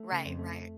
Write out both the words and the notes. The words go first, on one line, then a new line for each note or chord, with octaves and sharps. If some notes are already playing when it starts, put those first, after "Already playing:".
Right, right.
Already playing: A3
C#3
F2
A3